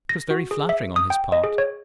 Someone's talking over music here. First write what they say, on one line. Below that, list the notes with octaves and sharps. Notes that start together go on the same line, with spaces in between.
It was very flattering on his part.
A#6
F#4
G#4
E5
D#6
G5
D#5
G#4
C#5